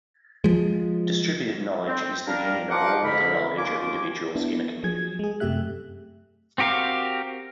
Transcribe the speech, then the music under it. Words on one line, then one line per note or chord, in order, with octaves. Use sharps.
Distributed knowledge is the union of all the knowledge of individuals in a community.
F3 G#3
C4
G3 A#3 D4 A#4
F3 A#4 F#5 D6
F2 G#2 D3 A#4 B5
D#2 F4 G4 G#5 D6
B3 D4 E4
F3 F#3 G#4 G#6
G#3 G#4
F#2 C3 A3 G4 E5 F#6
C4 F#4 G4 A#4 F5